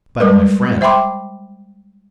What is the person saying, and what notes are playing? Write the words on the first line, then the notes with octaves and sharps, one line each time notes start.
But my friend!
G3 G#3 A#4 B4
C5 E5 G5 B5 C6 D6